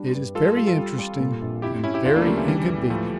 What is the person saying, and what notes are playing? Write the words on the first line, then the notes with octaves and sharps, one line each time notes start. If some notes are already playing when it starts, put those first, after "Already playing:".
It is very interesting and very inconvenient.
Already playing: G3 D4
G2
G3 F4 A4
F4 A4
F4 G4 A4
F4 A4
G3
G3
A#2
A#1
F2 E4 G4
F2 C#4 E4
E4 G4
D2 D4 F4
A#3 D4
A3
C#3 G3 A#3
E3 G3
E3 G3 D4
D2
F3 G3 A3